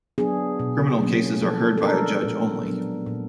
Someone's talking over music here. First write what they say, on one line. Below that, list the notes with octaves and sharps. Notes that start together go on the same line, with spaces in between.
Criminal cases are heard by a judge only.
F#3 B3 D4 G#4
B2
F#3 A#3 C#4
F3 A4
A4
G#3 B3 D4 A#4
A#2
F#3 B3 D4
A#2